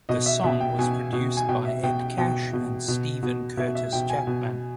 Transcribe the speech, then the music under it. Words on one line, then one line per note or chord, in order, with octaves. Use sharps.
The song was produced by Ed Cash and Steven Curtis Chapman.
B2 D#5
E5
B2 E5
G5
B2 G#5
B2
G#5
B2 G5
E5
B2 G5
G5
B2 G5
B2
B2
B2
B2 E5
E5
B2 G5
G#5
B2